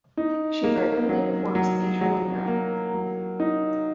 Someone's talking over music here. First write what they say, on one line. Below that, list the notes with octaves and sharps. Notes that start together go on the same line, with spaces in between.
She regularly performs in Israel and Europe.
D#4
A#3
F#3
F#3
F#3
A#3
F#3
D#4